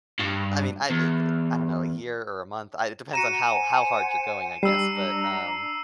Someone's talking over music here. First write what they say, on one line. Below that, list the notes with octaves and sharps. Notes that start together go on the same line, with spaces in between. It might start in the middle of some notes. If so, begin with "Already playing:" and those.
I mean, I, eh, the I don't know, a year or a month. I it depends on how how hard you're going, I guess, but, um,
G2
E2
F#4 F#5 A#5 C#7 D#7 E7
C5 F#5 G#5
G3 D4 A#5 E6 C7